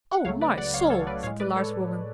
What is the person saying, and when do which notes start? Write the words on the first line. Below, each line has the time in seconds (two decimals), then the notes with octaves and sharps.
"O my soul!" said the large woman.
0.12 F#5
0.25 C#2 C#3 F#3 A3 C#5 F5
0.41 B4 D5
0.58 D5 F#5
0.74 C#5 F5
0.90 A4 C#5
1.07 B4 D5
1.23 A2 C#5 F5
1.27 G#3
1.40 B4 D5
1.56 A4 C#5